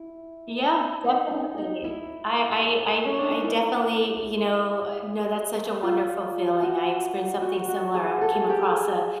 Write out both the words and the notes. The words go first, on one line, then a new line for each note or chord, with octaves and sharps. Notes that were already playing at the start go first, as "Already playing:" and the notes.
Yeah, definitely. I I I I definitely, you know no, that's such a wonderful feeling, I experienced something similar, I came across a
Already playing: E4
D#4
D#4
D#4
E4
C#4
D4
D#4
E4
F4
F#4
F#4
F#4
G#4
A4
G#4
G4
G#4